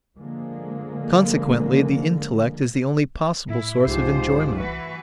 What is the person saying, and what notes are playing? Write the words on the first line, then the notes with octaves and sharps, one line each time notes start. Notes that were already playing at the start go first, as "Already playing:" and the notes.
Consequently the intellect is the only possible source of enjoyment.
D3 F3 G#3 A#3
A2 E4
C2 G#2 F3 F4 G4 C5
E3 F#4 B4